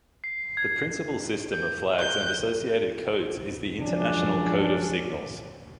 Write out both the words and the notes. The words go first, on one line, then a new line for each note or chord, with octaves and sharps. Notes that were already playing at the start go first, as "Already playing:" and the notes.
The principal system of flags and associated codes is the International Code of Signals.
C7
G#6
G6
F#6 G6
F3 F#3 G#3 C#4 D4